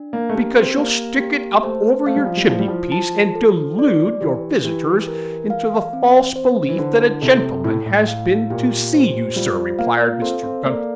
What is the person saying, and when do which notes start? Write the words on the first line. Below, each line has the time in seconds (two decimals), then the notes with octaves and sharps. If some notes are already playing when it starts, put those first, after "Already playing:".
'Because you'll stick it up over your chimney-piece, and delude your visitors into the false belief that a gentleman has been to see you, Sir,' replied Mr. Gunter.
Already playing: D4
0.13 A#3
0.29 A3
0.35 A#3 G4
0.55 C4
0.77 A#3 G4
1.20 G4
1.63 A3 C5
2.06 A3 F5
2.16 G3
2.26 F3
2.37 G3
2.49 F3 E4
2.59 G3
2.68 F3
2.92 A5
3.35 A4
3.79 D5
4.21 E3 G4
4.65 E3 G4
5.08 A#4
5.50 F5
5.93 C4
6.36 C5
6.69 E3
6.78 D3 E4
7.22 C3 A4
7.64 A2 E4
7.86 A2
8.08 F5
8.50 A#2 G4
8.94 C5
9.36 G3 F4
9.79 A#3 F5
10.22 C4 A4
10.43 C4
10.65 A#3 D5